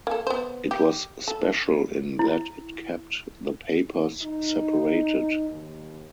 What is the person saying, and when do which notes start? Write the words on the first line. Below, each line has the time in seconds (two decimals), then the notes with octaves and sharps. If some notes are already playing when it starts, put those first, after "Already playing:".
It was special in that it kept the papers separated.
0.07 A#3 A4
0.27 B3 C5
0.71 G4
1.28 A4
2.19 E4
4.21 D#4
5.49 D#2